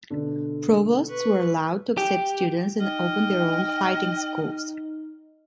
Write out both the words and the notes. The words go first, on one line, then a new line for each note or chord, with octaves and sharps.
Provosts were allowed to accept students and open their own fighting schools.
B2 D3
B4 C#6
G4
D#4 D#5 G5 F6